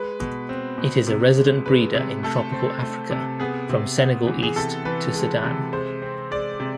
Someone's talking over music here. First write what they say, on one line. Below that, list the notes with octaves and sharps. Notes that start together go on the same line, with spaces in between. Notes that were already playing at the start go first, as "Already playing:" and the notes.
It is a resident breeder in tropical Africa from Senegal east to Sudan.
Already playing: G#3 B4
B2
C4
B2
C3
G#3
G#3 B4
C3
A3 A4
C4
A3
C3
B3 G#4
C3
B3
E3
G#4
C3 A4
E3 B4
G#3
C3
G#3 C5
C4
G#3 D5
C3